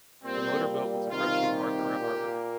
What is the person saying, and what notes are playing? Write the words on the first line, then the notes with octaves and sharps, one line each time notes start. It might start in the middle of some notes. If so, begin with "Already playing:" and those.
The motorboat was approaching Marghera harbor.
A#2 G3 A#3 C4
C3 D#3 G3 F4
G4
A#2 A#3